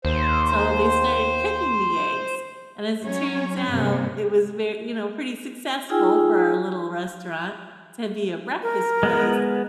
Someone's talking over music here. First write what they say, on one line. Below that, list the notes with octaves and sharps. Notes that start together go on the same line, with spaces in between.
so they started cooking the eggs and as it turns out, it was ve you know, pretty successful for a little restaurant to be a breakfast place
D#2 C5
F#3 C#4 C#5
G2 C3 A#3
D#4 F4 G#4 G5 G#5 E6
A#4
G#3 B3 B4